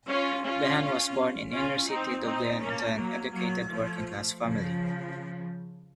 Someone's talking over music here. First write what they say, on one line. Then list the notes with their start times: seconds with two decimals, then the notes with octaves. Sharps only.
Behan was born in inner-city Dublin into an educated working-class family.
0.08 C#4 F4
0.44 C#4 F4
1.53 C#4 F4
1.89 C4 D#4
2.25 C4 D#4
2.60 A#3 C#4
2.97 F#3 A#3
3.32 F#3 A#3
3.69 F3 A3
4.40 C#3 F3